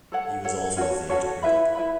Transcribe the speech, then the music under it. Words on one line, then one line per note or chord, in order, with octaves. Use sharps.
He was also a theatre critic.
A4 C#5 F#5
A4 C#5 F#5
C#4 F#4 A4 C#5
C#4 F#4 A4 C#5
E4 B4 E5 B5
E4 B4 E5 B5